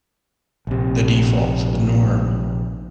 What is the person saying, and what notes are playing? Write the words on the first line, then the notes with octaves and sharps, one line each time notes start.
the default, the norm,
A#1 C3